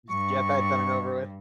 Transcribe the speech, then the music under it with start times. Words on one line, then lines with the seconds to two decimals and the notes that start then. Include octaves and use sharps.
Just get that done and over with.
0.10 G2 C#6